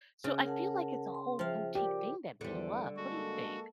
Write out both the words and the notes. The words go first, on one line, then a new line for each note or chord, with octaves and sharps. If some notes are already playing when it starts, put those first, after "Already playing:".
So, I feel like it's a whole boutique thing that blew up. What do you think?
C#3
A#4 F#5 A5
C6
F3 G#4 E5 F5 G5
G4 A#4 D5
E2 D3 G3 C5
G#3 A#3 F#4 A4